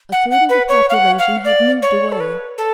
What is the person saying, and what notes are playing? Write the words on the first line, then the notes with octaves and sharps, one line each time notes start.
A third of the population had moved away.
F#5
F#5
B4
C#5
F5
F#5
F5
D5
C#5
A4
B4
A4